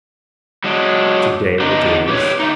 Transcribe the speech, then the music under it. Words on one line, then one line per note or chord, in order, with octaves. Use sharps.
Today it is.
F#3 G#3 D4
D3 B3 D4 D#4
G4 B4 C#5
D3 A3 D#4